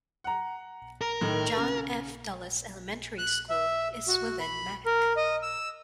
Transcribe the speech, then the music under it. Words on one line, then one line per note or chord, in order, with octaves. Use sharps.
John F. Dulles Elementary School is within Mack.
F#5 A#5
A#4
A2 D#3
C#3
F#6
E5
F#4
B5
A#4
D#5
E6